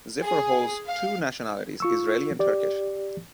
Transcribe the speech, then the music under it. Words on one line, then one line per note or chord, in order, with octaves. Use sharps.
Ziffer holds two nationalities: Israeli and Turkish.
G#4
F5
F4 C#6 E6
G4 D5